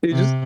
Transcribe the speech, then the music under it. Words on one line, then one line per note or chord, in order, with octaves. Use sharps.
You just
C3